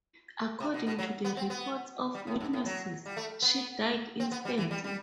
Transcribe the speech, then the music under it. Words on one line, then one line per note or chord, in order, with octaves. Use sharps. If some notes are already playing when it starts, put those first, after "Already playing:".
According to the reports of witnesses, she died instantly.
C3
B2
B2
F#3
B3
C4
B3
G3
A2
G2
A2
F#3
G3
A3
B3
C4
B3
G3
E3
G3
G3